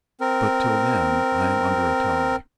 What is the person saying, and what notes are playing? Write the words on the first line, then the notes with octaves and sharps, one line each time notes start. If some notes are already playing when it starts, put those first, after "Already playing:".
But, till then, I am under a tie.
C4 A#4